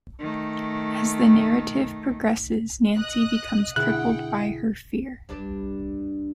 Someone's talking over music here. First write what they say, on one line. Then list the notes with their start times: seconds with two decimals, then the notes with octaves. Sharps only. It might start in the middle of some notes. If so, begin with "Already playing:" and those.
As the narrative progresses, Nancy becomes crippled by her fear.
0.19 D#3 A3
2.98 D#5 D#6 F#6
3.76 B2 D3 E4 G#4 F#5 G5 F#6
5.29 G2 D4 D5